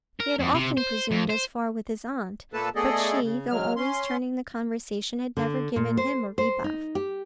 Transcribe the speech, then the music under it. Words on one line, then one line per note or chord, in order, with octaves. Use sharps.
He had often presumed as far with his aunt; but she, though always turning the conversation, had never given him a rebuff.
A#4
F2
C3
C5
F2
C5
A#2 A3 A#3 A4 B4 A5
A3 B3 G#4 A4 D5 D#5
C#3
F#3 G#3 F6
C#4 C6
D3
A#2
C5
C5
D#4
G4